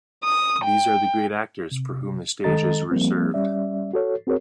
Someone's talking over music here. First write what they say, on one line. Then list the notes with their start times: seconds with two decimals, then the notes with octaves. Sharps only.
These are the great actors for whom the stage is reserved.
0.24 D#6
0.64 G5
1.71 C3
2.44 D#3 G#3 A4 D#5 A#5 A6
2.91 F3 G3 A#3 C4
3.34 G3 C#4 D5 E5
3.93 F#4 A4 C#5
4.27 C4 F#4 G#4 A#4 C#5